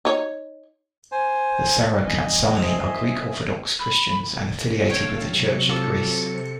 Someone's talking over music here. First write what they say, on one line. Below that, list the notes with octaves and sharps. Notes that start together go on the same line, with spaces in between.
The Sarakatsani are Greek Orthodox Christians and affiliated with the Church of Greece.
D#4 C#5
C5 G#5
F1 E2 G2 D#5 G#5
F3 C4 E5 A#5 C6 D#6
B5
A#2 D3 A3 A4 C#5 F5 G5
C3 F#3 C#7
F4 A4 D6